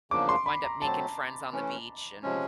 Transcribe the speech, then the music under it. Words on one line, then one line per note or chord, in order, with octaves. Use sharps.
wind up making friends on the beach, and
E2 C#3 F3 A#3 D4 D6
C6
B5
A#5
B2 F#3 A3 C4 A5
E3 A3 C#4
C3 F3 G#3 C#4